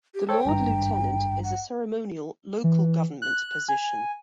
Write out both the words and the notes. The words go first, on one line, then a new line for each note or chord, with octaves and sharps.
The Lord Lieutenant is a ceremonial local government position.
G4
A4 C5 C#5 G5
G#1 G2 A#5
F#5
E3
F#6
G#5